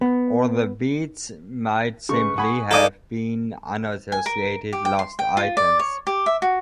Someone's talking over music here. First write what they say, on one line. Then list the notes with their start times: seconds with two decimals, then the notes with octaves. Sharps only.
Or the beads might simply have been unassociated lost items.
0.01 B3
2.09 C#3 G#3 B4 C#6
2.38 G#4 F#5 B5 C#6
2.71 D#4 A4 D5 D#5 F5 G#5 D6
4.12 G#5
4.26 A#4
4.73 G4
4.85 G5
4.99 C6
5.19 G5
5.37 F4
5.57 D5
5.79 C#5
6.07 G4
6.26 E5
6.42 F#4